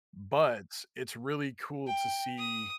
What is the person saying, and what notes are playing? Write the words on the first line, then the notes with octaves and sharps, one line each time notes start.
but, it's really cool to see
G5
D#6